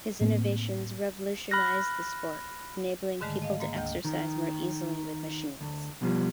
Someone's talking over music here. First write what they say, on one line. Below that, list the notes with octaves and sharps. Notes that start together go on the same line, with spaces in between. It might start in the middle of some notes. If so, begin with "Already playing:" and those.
His innovations revolutionized the sport, enabling people to exercise more easily with machines.
A2 A#3 C4
B5 F6 F#6 A#6
G#2 D3 D#3 G#3 A3
D#5 F5
G#2 A#3
D2 D#5 G5 G6
D#3
D2
B1 B2 F3 G3